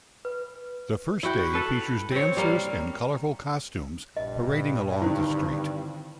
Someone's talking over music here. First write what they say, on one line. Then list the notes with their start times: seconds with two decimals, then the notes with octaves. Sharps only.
The first day features dancers in colorful costumes parading along the street.
0.25 B4
1.23 E4 F#4 G5
1.53 A4 B4
2.12 C4 C#5
2.37 G3 A#3
4.17 A#1 G2 D#5
5.02 D3 D#3 C4 E4 C5